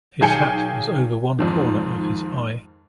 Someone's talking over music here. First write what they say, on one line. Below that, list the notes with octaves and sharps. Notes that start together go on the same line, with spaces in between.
His hat was over one corner of his eye.
B1 D#3 G#4 G5 G#5 C#7
F2 G#2 D#3